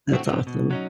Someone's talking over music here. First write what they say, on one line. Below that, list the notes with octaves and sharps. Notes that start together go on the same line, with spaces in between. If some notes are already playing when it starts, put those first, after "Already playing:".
That's awesome.
A2 D3 A3 C4 F#4
G#2 B3 C4
B2
F#3 C#4 D#4